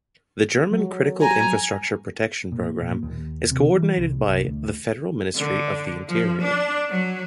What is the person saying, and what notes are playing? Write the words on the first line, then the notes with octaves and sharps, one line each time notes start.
The German critical-infrastructure protection programme is coordinated by the Federal Ministry of the Interior.
F#3
G#5 A#5
A#2
A#2
D#2
C3
E3
C2
C2
D2
D3
F3
D4
F#3